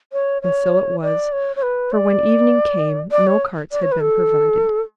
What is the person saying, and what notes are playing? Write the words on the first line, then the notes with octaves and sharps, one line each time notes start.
And so it was, for when evening came no carts had been provided.
C#5
C#5
D5
C#5
C#5
B4
D5
D5
C#5
D5
C#5
B4
A4